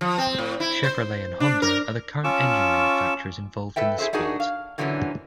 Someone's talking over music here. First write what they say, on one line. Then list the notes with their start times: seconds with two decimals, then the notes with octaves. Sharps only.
Chevrolet and Honda are the current engine manufacturers involved in the sport.
0.01 F3
0.18 C4
0.38 A2
0.60 E4
0.83 C5
1.40 D4
1.62 A#4
2.24 C#4 F4 A5 C#6 D6 E6
3.76 A4 B4 E5 G5
3.98 E4 G#4 B4 C5 E5
4.13 D4 D#4 F#4 G#4 A#4
4.40 F5
4.78 A#2 D3 E3 F#3 A#3 C#4